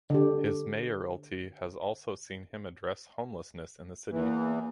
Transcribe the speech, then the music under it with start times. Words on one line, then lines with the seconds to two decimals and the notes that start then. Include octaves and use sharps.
His mayoralty has also seen him address homelessness in the city.
0.10 D3 G4
4.11 E2 E3 A#3